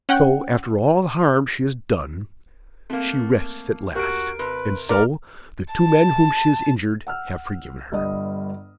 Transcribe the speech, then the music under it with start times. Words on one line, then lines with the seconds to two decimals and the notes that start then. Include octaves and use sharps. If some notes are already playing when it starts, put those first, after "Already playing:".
So, after all the harm she has done, she rests at last; and so the two men whom she has injured have forgiven her.
0.09 C#4 F#5 G5
2.90 A3 A#3 C4
3.95 D#2 F#4 G4 A#4 D7
4.39 C3 B4
4.89 B3 A#4 D5 A#5 F6
5.73 A5
7.07 F#5 E6 F6
7.92 G1 G2 D#5 D#6